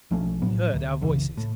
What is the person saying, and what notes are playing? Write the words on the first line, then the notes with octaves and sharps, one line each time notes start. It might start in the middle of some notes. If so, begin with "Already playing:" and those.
He heard our voices.
B1 F3 A3 C#4
A2 F#3 B3
D2
F#1 C2 C#3 E3
A2